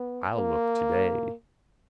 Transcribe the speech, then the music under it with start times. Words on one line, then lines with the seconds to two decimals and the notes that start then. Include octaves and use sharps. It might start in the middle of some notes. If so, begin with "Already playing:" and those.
I'll look today.
Already playing: B3
0.36 A#3